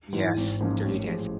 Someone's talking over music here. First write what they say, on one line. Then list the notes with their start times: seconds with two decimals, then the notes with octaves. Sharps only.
Yes. Dirty Dancing.
0.13 G#2 E3
0.37 G#1
0.61 G#2 F3 A#3 C#4
0.84 A1
1.08 A2 F3 G#3